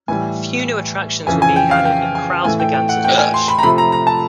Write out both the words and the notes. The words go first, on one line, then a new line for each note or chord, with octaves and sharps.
Few new attractions were being added, and crowds began to diminish.
A2 E3 G3 G#5
F2 C#3 E3 G#5
G#5
G5
F5
G5
G#5
A2 E3 A3 G#5
G5
G5
F#5
G5
G#5
C6
B5
A#5
C3 F3 A3 B5
A#5
A#5
A5